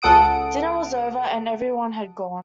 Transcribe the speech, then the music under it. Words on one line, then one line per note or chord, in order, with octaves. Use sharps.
Dinner was over, and every one had gone.
C#2 A4 F#5 D#6 D7